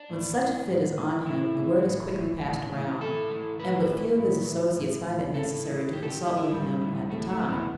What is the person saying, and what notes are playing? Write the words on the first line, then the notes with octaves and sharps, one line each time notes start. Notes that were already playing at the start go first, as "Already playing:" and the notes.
When such a fit is on him the word is quickly passed around, and but few of his associates find it necessary to consult with him at the time.
Already playing: D4
A2
E3
A2
E3
A2 E4
E3
A2
E3
A2
E3
A2 A4
E3
A2 B4
E3
A2
E3
A2
E3
A2 A4
E3
A2 G4
A4
G4
E3
E4
A2 G3
E3
A2 A3
A3
E3
B3